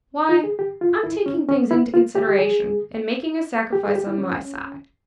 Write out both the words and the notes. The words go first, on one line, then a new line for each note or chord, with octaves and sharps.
Why, I'm taking things into consideration and making a sacrifice on my side.
F4
G#4
G4
F4
E4
C#4
C#4
E4
F4
G4
G4
G#4
G4
G#4
G4
E4
C#4